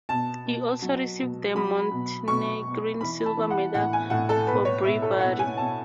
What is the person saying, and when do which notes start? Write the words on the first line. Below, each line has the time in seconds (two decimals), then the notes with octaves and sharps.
He also received the Montenegrin Silver Medal for Bravery.
0.09 B2 A5
0.46 B2
0.82 F#3
1.19 B2
1.55 F#3 B5
1.91 B2
2.28 B2 C#6
2.64 B2
3.01 E3 B5
3.26 A5
3.37 E3
3.50 F#5
3.74 A2 F#5
3.93 G#5
4.10 A2 F#5
4.29 A4
4.47 B2 B4
4.65 C#5
4.83 B2 E5
5.02 A4
5.20 B2 F#5
5.39 G#5
5.57 B2 A5